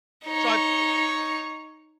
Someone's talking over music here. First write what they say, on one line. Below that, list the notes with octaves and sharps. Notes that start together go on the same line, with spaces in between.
So I've yeah.
D#4 C#5